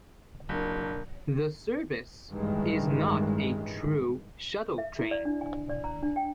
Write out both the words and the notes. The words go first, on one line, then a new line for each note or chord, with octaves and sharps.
The service is not a true shuttle train.
F#1 D4 A#4
A1 G2 D#3 E3 G#3
E5
E4
D5
D4
G#5
D5
A#5
D4
G5